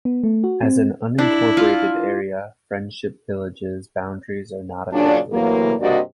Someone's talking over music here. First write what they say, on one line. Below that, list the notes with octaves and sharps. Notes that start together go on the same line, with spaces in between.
As an unincorporated area, Friendship Village's boundaries are not officially defined.
B3
A3
F#4
C4
D4 E4
F4
A#2 C#3 F#3 D4
A2 C3 E3 F#3 A#3
G2 C3 A#3 F#4 D5 D#5